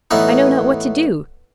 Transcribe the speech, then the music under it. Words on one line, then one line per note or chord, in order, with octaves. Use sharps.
I know not what to do.
A2 E3 B3 D#4